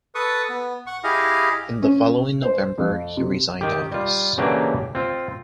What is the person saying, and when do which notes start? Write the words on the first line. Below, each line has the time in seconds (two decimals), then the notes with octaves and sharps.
In the following November he resigned office.
0.15 A4 B4 C#6 D#6
0.49 B3
0.87 F#5 C#6
1.04 E4 G4 G#4 D#5 F5
1.82 C#4
2.42 C5
2.78 F2
3.17 C3
3.61 D#3 G4
3.92 G3 F4
4.38 C#3 E3 F#3 A#3 D4 G4
4.95 C4 F4